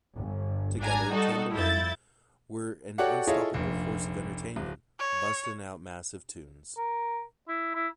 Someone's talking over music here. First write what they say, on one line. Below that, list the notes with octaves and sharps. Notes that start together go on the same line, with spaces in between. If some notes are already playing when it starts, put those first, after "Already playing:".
Together, Tambalane were an unstoppable force of entertainment, bustin' out massive tunes.
G1
G#1 D4 G#5 A#5
G3 D#4 F#4 A4
F2 E4 G6 A6
F#4 G4 A4 C#5 D5 F#5
E4 F4 G#4 A4 C#5 D#5
F1 A#1
D1
C#5
A#4
E4
E4